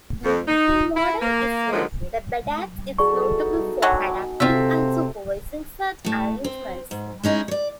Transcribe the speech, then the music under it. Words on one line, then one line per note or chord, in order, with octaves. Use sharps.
In modern Israel, the "badatz" is notable for adapting and supervising such arrangements.
F2
D#4
E4
A#3
A#2 D3 D#3 F3 F#3 G#3
B2 E3 G#4 A4 D5 C#6
D#4 F#4 A5
D3 D#3 F#3 F#5 G#5
C3 A3 C4 F4 E5
A2 A3
C4
G#2
G#3 C#4 D#4 E4
C#5 D5